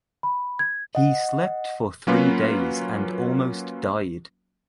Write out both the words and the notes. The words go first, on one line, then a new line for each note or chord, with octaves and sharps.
He slept for three days and almost died.
B5
G#6
D#5 F#5
F#3 A#3 C#4 F4 B4